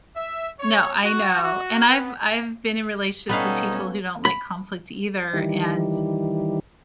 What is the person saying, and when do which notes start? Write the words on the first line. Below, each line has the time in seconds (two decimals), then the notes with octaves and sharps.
No, I know. And I've I've been in relationships with people who don't like conflict either, and
0.16 E5
0.59 C#5
1.03 F#4
1.43 F#4
1.86 B3
3.29 B2 G3 B3 C#4 D#4 A4 B4 F5
4.25 B5
5.33 D#3 E3 G3